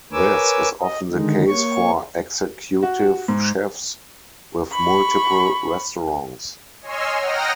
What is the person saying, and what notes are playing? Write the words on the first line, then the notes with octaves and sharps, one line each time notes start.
This is often the case for executive chefs with multiple restaurants.
A#4 B4 C#5 G#5 D6 E6
D#5
D3 D#3 G#3 D#4
A#3 C#5 C#6
F#4
G#2
B5 C#6
C#5 D#5 G#5 C6 E6 F6
F#5 G5 A#5 D#6 F6 A#6